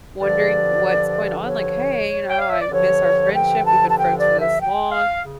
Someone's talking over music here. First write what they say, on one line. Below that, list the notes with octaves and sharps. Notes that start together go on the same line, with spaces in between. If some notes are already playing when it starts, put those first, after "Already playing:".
wondering what's going on, like, "Hey," you know, "I miss our friendship, we've been friends for this long.
G2 D3 F3 D5
C#5
G5
F5
E5
D5
G2 D3 F3 C#5
G5
A5
A5
G5
D5
E5
G5
F5
C#3